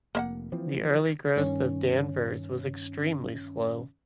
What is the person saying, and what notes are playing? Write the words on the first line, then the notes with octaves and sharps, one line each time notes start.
The early growth of Danvers was extremely slow.
F1 A#3 E5 F#5
E3 F3 C4
G2 D#3 C#4